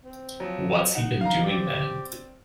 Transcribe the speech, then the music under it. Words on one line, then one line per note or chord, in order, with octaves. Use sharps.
What's he been doing, then?
C4
F3 F#3
D#4 F#5
F5 A#5
C4 G4 D5